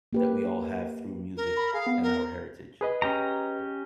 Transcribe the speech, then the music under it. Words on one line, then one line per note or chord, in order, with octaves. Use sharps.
that we all have through music and our heritage.
A#3 G4 B4
A#4
B5
G#4 F5
B3
A#4
G#4 B4 D#5
C#4 G4 A#5